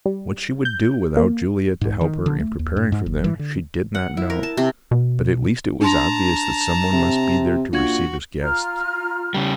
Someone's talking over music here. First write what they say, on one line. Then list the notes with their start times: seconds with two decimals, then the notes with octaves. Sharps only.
What she would do without Juliet to help her in preparing for them, she did not know, but at least it was obvious that some one must be there to receive his guests.
0.06 G3
0.65 G6
1.17 A#3
1.81 G#2
2.01 D#3
2.26 D3
2.40 A3
2.59 D#2
2.76 G2
2.92 G#2
3.06 F#1
3.24 E3
3.39 D3
3.95 F#5
4.17 E4
4.30 A#4
4.43 A5
4.57 C3
4.91 B2
5.81 D4 A5 A#5 C6
6.93 C3
7.73 A#2 D4 F#4 G#6
8.42 F4 A#5 F6
9.34 C#3 G3